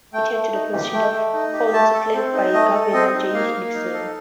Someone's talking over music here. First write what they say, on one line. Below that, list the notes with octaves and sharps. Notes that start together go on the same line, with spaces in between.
Chris Flanagan was appointed to the position of County Clerk by Governor Jay Nixon.
A3 G5
A3
D#4
G4
A3 G5
A3
D#4
G4
A3 A5
A4
C4
D#4
A3 D#5
A4
C4 D#5
D#4
A#3 F5
A#3
D#4
A4